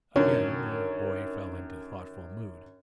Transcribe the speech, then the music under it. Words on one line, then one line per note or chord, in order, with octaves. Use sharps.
Again the boy fell into a thoughtful mood.
F#2 D3 D#3 C#4